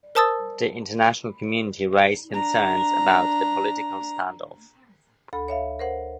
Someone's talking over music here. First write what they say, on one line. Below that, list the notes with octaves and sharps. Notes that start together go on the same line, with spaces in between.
The international community raised concerns about the political standoff.
A#4 C5 A5 D#6 E6 A6
D4 A#5
D2 A4 B5
C#5 E5 F5
A#4 C5 F#5